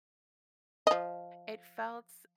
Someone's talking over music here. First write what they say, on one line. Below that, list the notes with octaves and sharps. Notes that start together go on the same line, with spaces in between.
it felt
F3 D#5